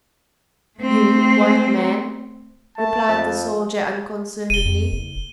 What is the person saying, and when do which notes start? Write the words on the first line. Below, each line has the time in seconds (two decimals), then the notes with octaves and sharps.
"You, White Man?" replied the soldier unconcernedly.
0.79 A3 C4
2.78 A3 A5
3.08 F2
4.50 F1 D#7 G7
4.65 F2
4.92 F#1